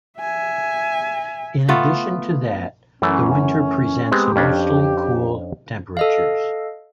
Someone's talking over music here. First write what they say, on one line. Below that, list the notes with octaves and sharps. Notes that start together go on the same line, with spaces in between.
In addition to that, the winter presents mostly cool temperatures.
E5 G#5
A3 B3 F4
F#2 E3 A3 C#4
G#3 B3 C4 G4
F2 C#4 D4
A4 D#5 F5